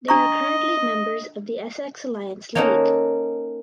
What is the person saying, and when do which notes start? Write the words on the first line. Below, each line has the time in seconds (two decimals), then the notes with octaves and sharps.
They are currently members of the Essex Alliance League.
0.08 D4 D#5 A#5 C#6
2.55 A#3 C#4 D#4 A4 A#4 F#5